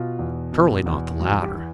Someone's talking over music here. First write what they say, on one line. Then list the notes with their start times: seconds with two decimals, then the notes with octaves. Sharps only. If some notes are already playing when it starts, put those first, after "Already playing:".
Surely not the latter!
Already playing: B2 F4
0.19 E2
0.53 B2
0.86 E2
1.20 G2 F#4
1.42 G4
1.54 E3